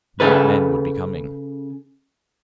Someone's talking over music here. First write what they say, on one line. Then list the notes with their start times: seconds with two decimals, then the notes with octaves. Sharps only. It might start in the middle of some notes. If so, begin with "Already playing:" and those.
More men would be coming.
0.20 C#3 A4 B4